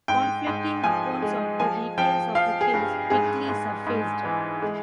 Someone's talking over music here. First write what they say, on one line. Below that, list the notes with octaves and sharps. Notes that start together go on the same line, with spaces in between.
Conflicting accounts of the details of the case quickly surfaced.
G#2 G5
G#2
F3 G#5
G#3
F3 G#5
F3 G5
F3 F5
G#4
G2
G#2 G#4
G#2
G#2
E3
G#3